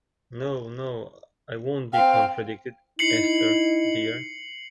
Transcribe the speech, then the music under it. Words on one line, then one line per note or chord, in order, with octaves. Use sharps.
No, no, I won't be contradicted, Esther dear!
C4 F5 G5
D#4 E4 C7 C#7 F#7